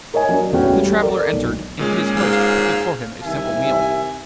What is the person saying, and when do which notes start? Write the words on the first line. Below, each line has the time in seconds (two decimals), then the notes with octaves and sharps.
The traveller entered, and his host put before him a simple meal.
0.14 A#4 C#5 D#5 G#5
0.29 F#3 D4
0.52 A1 E2 A3 C#4 F#4 G5
0.75 G3
1.00 A4 A#4 D5
1.33 B1
1.79 A#2 G#3 C#4
2.16 G#2 F5
3.24 C2 C3 D#3 E5 G#5